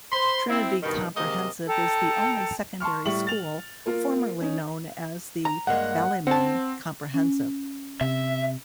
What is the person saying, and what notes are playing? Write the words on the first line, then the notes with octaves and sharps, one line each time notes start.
Trinity Comprehensive is the only secondary school formerly known as the Ballymun Comprehensive.
C5 B5 C6
C4 E4
G2 B2 D#3
C3 G#3 A#3 D#5
A4 G5 A5 A#5
A5 C6 C#6 F6
A2 G3 E4 C#6 F#7
A6 F7
A#3 F4 A#4
C#4 D#4
A#5
G2 G#3 A#3 F#5
C4 F#5 A5
C#4
C3 E5